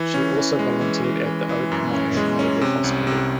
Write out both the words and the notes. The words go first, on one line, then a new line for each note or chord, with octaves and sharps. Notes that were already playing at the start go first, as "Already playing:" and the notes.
She also volunteered at the Oak Knoll Naval Hospital.
Already playing: E3
C#4
E3
G#3
E3
E3
E3
E3
F#2
C#4
G#3
C#4
C3
C2
C3